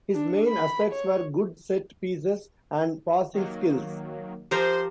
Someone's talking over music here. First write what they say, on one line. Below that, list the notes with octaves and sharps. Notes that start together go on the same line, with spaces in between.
His main assets were good set pieces and passing skills.
D4
B5
C#5
D#3 F#3 A#3
F3 G4 A#4 C5